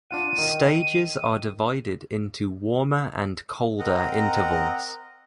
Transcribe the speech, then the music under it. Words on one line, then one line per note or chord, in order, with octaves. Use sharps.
Stages are divided into warmer and colder intervals.
D4 F4 F#5 D#7
D#3
C4 A#4 D#5 F#5 A#5